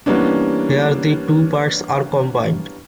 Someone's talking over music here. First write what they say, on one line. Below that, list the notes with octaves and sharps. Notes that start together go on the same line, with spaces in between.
Here the two parts are combined.
E3 G3 A#3 B3 C#4 D4